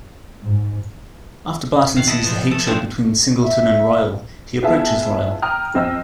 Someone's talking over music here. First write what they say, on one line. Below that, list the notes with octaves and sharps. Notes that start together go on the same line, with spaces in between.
After Barton sees the hatred between Singleton and Royle, he approaches Royle.
G#2
D#3 F5 F#5
E4 A4 D#5
F3 B3
A3 A4
F3 A3 C4 D4
E5
B3 E4 F4 G#4 E5 A5
G5 A#5 D#6 F6
F2 C4 D#5 E6 A#6